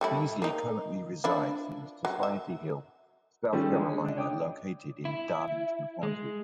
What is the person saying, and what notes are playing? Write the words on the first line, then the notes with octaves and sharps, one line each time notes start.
Beasley currently resides in Society Hill, South Carolina, located in Darlington County.
G3 A3 E4
A#3 D#4
F3 D4 E4
F#3
E5
D#3 F3 G3 A3 C#4
D3 G#3
D4 D#5
C#5 G5 D6 D#6
E4
G#3